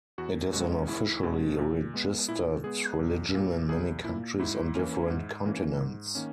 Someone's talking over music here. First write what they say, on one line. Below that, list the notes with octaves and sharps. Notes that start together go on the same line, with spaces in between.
It is an officially registered religion in many countries on different continents.
E2 F#4
B2 G#3 C#4 F#4
E2 E4
B2 G#3 C#4
A#2
G#3 B3
A#2 E4
G#3 B3 G#4
B1
A#2 A#3
B1 G#4
A#2 A#3 E4
G#2 E4
E3 A#3 C#4
G#2
E3 A#3 C#4
G#2
D#3 A#3 C#4